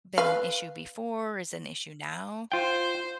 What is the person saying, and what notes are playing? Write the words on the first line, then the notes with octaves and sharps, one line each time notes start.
been an issue before, is an issue now
B4 F5
F4 C5 G5